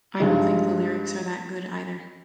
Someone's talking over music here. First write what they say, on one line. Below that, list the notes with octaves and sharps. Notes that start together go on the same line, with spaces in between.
I don't think the lyrics are that good either.
G2 F3 G#3 D#4